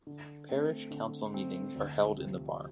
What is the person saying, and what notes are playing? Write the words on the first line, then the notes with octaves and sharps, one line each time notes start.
Parish council meetings are held in the Barn.
D3
A3 C4
D3
A3 C4
D2
C3 F3 C4